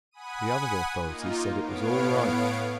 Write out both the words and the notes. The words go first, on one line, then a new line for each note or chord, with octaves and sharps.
The other authorities said it was "all right!"
F#5 G#5 B5 D#6 D#7
A#3 D#4 F4
A2 B3 C#5 F5 D7